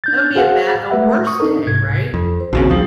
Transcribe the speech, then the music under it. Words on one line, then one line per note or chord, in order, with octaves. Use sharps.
that would be a bad a worst day, right?
D4 G6 A6
F#4 G#4 C5 F5 F#5
G#3 A3 B4 E5 F#5
C#6 D#6
C4 D4 D#4 A4 A#4
C2 G#2 C3 G#6
F2
C5
A#1 D#2 C#3 C4 F#4
B1 F3 G3 G#4 D#6